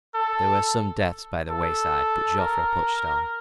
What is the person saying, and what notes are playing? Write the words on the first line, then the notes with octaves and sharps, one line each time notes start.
There were some deaths by the wayside, but Joffre pushed on.
A4
A4
A#4